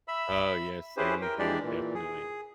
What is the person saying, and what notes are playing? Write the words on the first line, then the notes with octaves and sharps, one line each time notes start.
Oh, yeah, same here, definitely.
E5 B5 E6
C#4 E4 G4 G#4 B4 C5
A#4 G5
E3 G#3 D4 G4 D5
A#2 E3
G#4